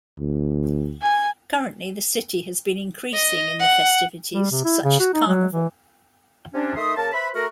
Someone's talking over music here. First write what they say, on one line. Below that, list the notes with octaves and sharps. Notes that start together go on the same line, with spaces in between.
Currently, the city has been increasing in the festivities such as Carnival.
D2
G#5
D#5
F#5
G3
C3
E4
C#3
F#4
D#4
F#3
E3
C3 C#4 D4
D#3 A3 D#4 E5 C6 D#6
C#3 A#3 A#4 A5
B4 C5 E5 B5
A3 F#4 A#4